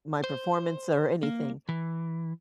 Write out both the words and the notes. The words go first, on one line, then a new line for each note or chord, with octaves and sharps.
my performance or anything.
C5
A#3
E3